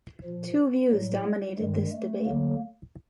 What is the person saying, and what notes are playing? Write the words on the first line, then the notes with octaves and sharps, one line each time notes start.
Two views dominated this debate.
A#2 F3
A2 F#3 G3
G3
G2 D#3 G3 G#3
A3
D2 D3 F#3 A#3